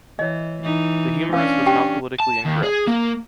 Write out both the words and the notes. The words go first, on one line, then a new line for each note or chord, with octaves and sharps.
The humorist was not politically incorrect.
E3 C#5 D#5
E3 D#4
C#4 D4 B4 F5
G4 G5
A5
D#2
G#4
A#3